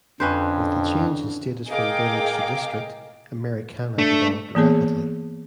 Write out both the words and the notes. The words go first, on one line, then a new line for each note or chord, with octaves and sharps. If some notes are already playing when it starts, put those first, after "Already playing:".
With the change in status from village to district, Americana developed rapidly.
F2 D3 C#4 B4 C5
G#4 A#4 D#5 F5 G5 D6
A3 D4
E3 A#3 B3 G#4 C#5